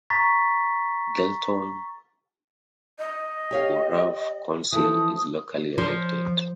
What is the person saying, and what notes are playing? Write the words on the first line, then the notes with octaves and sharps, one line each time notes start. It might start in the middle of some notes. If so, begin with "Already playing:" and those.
Galeton Borough Council is locally elected.
A#5 C#6 A6 B6
D#5
G4 C#5 F5
E3 F3 A4 D#6
F3